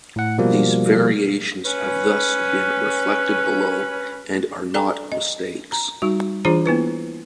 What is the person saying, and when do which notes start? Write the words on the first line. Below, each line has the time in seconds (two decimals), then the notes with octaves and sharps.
These variations have thus been reflected below, and are "not" mistakes.
0.16 A2 F#5
0.38 B2 F3 G3 A#3
1.65 C#4 B4
4.74 A4 D5 G5 G#5 A#5
5.12 D#5
5.72 A#5
6.02 G3 D#4 F#4
6.45 E3 D4 F4 G#4 C5 A#5
6.66 A#3 B3 E4 B4